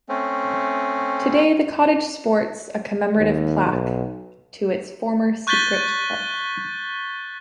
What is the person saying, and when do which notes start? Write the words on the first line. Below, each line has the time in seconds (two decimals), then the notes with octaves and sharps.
Today the cottage sports a commemorative plaque to its former secret life.
0.09 A3 C4 C#4
3.17 D#2
3.66 B1
5.47 C#6 F#6 G6 A6 B6 G7